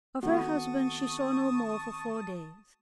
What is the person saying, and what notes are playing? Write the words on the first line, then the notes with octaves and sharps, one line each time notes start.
Of her husband she saw no more for four days.
D#3 A3 B3 C4 F#4 A5 C#6 D#6